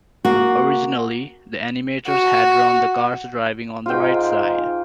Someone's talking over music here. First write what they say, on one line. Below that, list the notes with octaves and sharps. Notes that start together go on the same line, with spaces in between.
Originally, the animators had drawn the cars driving on the right side.
A#3 F#4
F#4
G#2 F4 G5